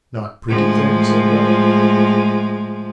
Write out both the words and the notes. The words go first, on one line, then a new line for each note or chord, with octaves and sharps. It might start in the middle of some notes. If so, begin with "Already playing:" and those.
'Not pretty then?' said Bella.
A2 F3 G#3